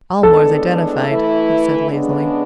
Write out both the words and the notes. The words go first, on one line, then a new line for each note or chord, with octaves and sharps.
"Aylmore's identified," he said lazily.
A2 G#3 B3 D4 A4
E3 A3 E4
C#3 G#3 B3 D4